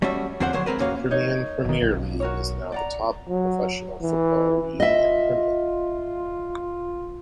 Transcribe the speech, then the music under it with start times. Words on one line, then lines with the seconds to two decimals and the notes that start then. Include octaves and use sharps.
The Crimean Premier League is now the top professional football league in Crimea.
0.02 G3 A3 C#4 F#4 E5
0.40 E2 D3 F3 C4 C5 F#5
0.53 D3 F3 F#3 C5 C#5
0.66 G#3 C4 A#4 B4
0.79 E2 A#3 C#4 F#4 F5
1.11 D#4 A#4 C#5
1.65 F#1 D#3
1.82 B1
2.20 F#4 A#4 C#5
2.72 D5 F#5 A#5
3.28 F#3
4.02 E3
4.80 F4 D#5 E5